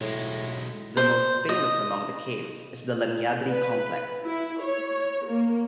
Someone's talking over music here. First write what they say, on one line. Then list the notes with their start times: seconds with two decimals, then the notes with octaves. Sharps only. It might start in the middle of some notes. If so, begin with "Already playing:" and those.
The most famous among the caves is the Lenyadri complex.
0.01 B1 A2 G#3
0.97 C5
1.49 D#5
3.49 B4
4.24 E4
4.61 C#5
5.27 A#3